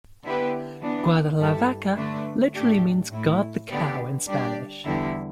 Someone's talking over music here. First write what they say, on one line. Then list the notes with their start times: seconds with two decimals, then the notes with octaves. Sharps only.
"Guardalavaca" literally means "guard the cow" in Spanish.
0.24 D3 B3 E4 G4 B4
0.82 E3 B3 D4
1.39 G2 G3 E4 A4
1.97 D3 A3 D4 B4 D5
2.54 A2 A3 D4 G4
3.12 A2 A3 E4
3.70 D3 B3 D4 G4 D5
4.27 G3 D4 G4 D5
4.85 E2 D3 G3 E4